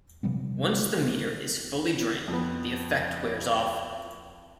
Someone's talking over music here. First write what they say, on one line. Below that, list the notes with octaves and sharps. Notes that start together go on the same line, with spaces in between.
Once the meter is fully drained, the effect wears off.
C3 F3 G3 C4
F2 B3